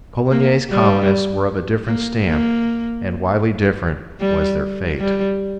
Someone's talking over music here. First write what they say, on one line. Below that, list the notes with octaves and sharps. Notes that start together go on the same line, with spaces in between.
Coligny's colonists were of a different stamp, and widely different was their fate.
A#3
G3
A#3
A#3
G3
G3